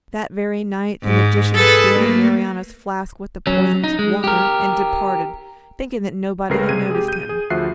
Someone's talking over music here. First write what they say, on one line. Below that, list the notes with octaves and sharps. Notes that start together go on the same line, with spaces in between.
That very night, the magician filled Marianna's flask with the poisonous water, and departed, thinking that nobody had noticed him.
G#2
G#4 A4 B4
A3 A#3
F#3 C#4
D#4
G#3
G4 A#4
C#2 C#3 A3 A#4 B4 C7
C3 G#3 G#6 D#7
G4 G#4
G6 D#7
G#4
D2 F3 F#4 E5 F#6 C7